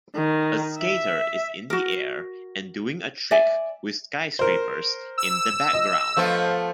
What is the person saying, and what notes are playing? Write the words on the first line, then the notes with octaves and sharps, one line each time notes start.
A skater is in the air and doing a trick with skyscrapers in the background.
D#3
E5
F#4 A#4
D5 E5 G#5
A#4 C5
E6
D#5
F3 A3 B3